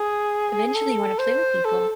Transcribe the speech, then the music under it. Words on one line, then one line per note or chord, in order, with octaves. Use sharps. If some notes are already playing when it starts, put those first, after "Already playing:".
Eventually, you wanna play with people.
Already playing: G#4
A4
C5
A4